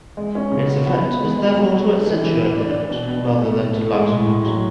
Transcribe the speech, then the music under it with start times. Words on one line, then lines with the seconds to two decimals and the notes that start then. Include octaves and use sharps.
Its effect is therefore to accentuate the note rather than to lighten it.
0.17 G#3
0.35 C#4
0.52 C#3
0.69 F#4
0.86 B3
1.02 B3
1.20 G#3
1.38 G#3
1.54 F#3
1.71 F#3
1.88 A4
2.05 E3
2.23 E3
2.40 E3
2.56 D4
2.73 D4
2.91 B2
3.08 B2
3.26 B2
3.42 A3
3.60 A3
3.77 A3
3.93 G#3
4.11 A2
4.27 A2
4.45 F#3